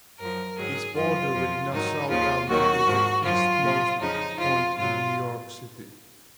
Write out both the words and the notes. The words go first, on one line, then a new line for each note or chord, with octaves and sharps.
Its border with Nassau County is the easternmost point in New York City.
F#2 F3 A#4
G#2 D#3 F#3 G#4
F#2 F3 F4
F2 F3
G#2 D#3 F#3 D#4
D#2 C#3 F3 F4
D#2 D#3 F#3 F#4
G#2 F3
F#2 F3 F4
A#2 F3
F2 C#3 F3 D#4
F2 F3 F4
G#2 F#3 F4